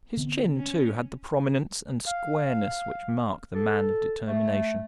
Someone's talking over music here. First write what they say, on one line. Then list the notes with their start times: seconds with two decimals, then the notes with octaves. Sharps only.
His chin, too, had the prominence and squareness which mark the man of determination.
0.17 D3 B3 C4
0.57 C#4
2.07 F5
3.55 A4
4.27 A3